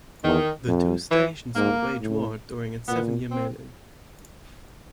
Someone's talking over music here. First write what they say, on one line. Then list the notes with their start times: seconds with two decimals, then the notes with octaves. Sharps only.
The two stations would wage war during its seven-year melee.
0.24 E2 D#3
0.68 F2
1.12 E3
1.56 G#2 A#3
2.00 A2
2.88 A#2 B3
3.32 C4